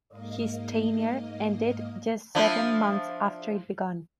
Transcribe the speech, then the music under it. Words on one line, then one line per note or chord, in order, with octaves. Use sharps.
His tenure ended just seven months after it began.
G#2 A#3 D#5 F5
F3 D4 E4